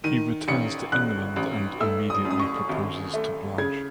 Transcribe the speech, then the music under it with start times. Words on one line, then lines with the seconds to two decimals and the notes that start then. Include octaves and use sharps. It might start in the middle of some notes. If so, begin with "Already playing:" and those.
He returns to England and immediately proposes to Blanche.
0.04 D#3 D#7
0.48 A1 C#7
0.92 A1 F#6
1.36 A1
1.80 A3 E6
2.10 D#6
2.25 F#2
2.30 D#6
2.40 C#6
2.69 G#1
3.13 A3
3.58 C#3 G#6